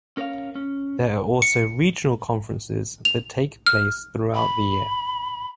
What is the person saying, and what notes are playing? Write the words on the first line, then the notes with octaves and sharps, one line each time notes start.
There are also regional conferences that take place throughout the year.
C#4 A#4 C#5 D5 F5
C#4
C#7
F7
F6
B5